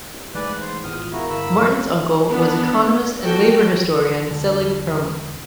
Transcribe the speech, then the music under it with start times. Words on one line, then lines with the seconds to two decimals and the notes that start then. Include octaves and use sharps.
Martin's uncle was economist and labor historian Selig Perlman.
0.13 C2
0.35 G#2 E3 A3 B4 D5
0.61 C5
0.84 G#1 E2 F4 D#6 F6
1.12 E2 E4 F#4 A#4 F5 A#5
1.30 G2 D3 B5 E6
2.30 B3 D4
3.22 F#4 A4 G5
4.31 E1 D3